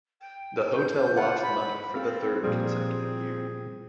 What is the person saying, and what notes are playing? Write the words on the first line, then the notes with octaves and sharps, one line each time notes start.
The hotel lost money for the third consecutive year.
G5
G6
F4 F#5
B5
C4 A4 F5
A#2 F3 G3 G#4